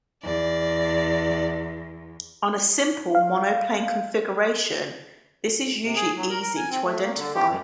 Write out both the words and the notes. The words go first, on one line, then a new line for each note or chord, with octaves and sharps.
On a simple monoplane configuration, this is usually easy to identify.
E2 D5
F5
C3
G#4
F#3
A#4
A#4
G#5
C4
A3
A#3
D3
G4
F#2